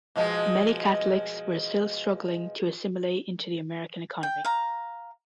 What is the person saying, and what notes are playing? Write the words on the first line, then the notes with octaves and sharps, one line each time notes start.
Many Catholics were still struggling to assimilate into the American economy.
B2 F3 G#3
G5
F5 A#5